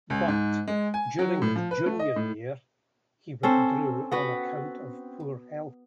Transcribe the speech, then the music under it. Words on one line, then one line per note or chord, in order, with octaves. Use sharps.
But, during his junior year, he withdrew on account of poor health.
C#2
G#2
G#3
G#5
F#3
A2
F3
B4
A3
D#5
A2
C4 C#4 A4 C5
B3 F#4 B4